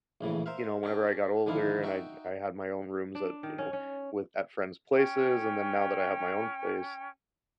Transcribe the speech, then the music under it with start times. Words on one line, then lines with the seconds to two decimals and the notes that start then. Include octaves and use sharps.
you know, whenever I got older and I I had my own rooms at you know, with at friends' places, and then now that I have my own place,
0.21 A#1 A2 C#3 E3
0.46 A#4 C5 E5 F5
0.83 C#4 D4 G5
1.46 D3 D#3 F3 D4 E4 F5
1.83 D#4 F#4 E5 G5
3.15 D4
3.43 D#3
3.58 C#4
3.73 C#4
4.96 C#4 G5